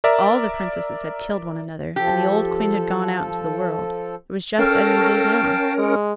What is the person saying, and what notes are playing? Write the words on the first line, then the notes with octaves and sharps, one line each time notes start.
All the Princesses had killed one another, and the old Queen had gone out into the world: it was just as it is now.
A#4 D5 E5 A#5
F3 G4 A4
C#4 A4 A#4 F5 G5 A5
G#3